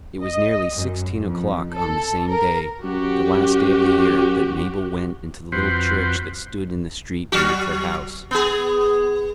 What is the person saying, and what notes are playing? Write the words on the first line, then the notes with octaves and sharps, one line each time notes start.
It was nearly sixteen o'clock on the same day, the last day of the year, that Mabel went into the little church that stood in the street beneath her house.
D#5
F#2
F2
A4
A#4
F#2 F#4 G4
F2 C4 F#4 B4 C5
F#3 F#4
B3 G#4